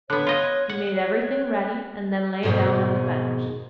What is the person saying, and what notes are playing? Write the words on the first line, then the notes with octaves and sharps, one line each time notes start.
He made everything ready, and then lay down on the bench.
D3 B3 C#5 F#6
F4 D#5
F#5
C#5
F2 G#2 B2 D#3 G#3